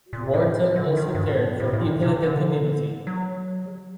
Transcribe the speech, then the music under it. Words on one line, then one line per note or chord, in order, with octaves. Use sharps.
Wharton also cared for people in the community.
A#2
A2
D3
D#3
G2
A2
A#2
A2
A2
A#2
C3
D3
F#3